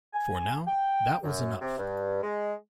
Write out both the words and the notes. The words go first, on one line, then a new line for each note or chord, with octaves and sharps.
For now, that was enough.
G#5
G5
F#2
C3
G2
G#3